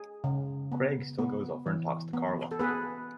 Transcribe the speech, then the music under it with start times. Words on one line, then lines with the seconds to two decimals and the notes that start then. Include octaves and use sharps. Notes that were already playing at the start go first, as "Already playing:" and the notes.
Craig still goes over and talks to Karla.
Already playing: G#4
0.24 C#3
0.72 B3
1.19 B3
1.66 E3
2.13 B3
2.51 A4
2.59 B3 G#4 B4